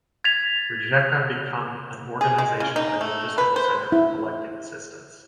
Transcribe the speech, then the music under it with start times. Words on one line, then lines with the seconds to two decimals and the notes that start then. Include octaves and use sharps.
Rijeka become an organizational and logistical center for collecting assistance.
0.24 G#6 A6 B6 F7
2.21 G#4
2.38 G#3
2.60 C#3
2.76 D#4
3.01 A3
3.38 B4
3.56 C5
3.92 E4